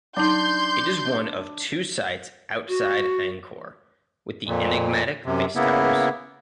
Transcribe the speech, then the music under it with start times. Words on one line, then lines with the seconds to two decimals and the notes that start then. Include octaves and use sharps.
It is one of two sites outside Angkor with the enigmatic face-towers.
0.17 F#3 D4 D#4 C6 G6
2.68 F#4
4.47 F2 A#2
5.26 F#2 C3
5.56 C#3 A#3 B3 E4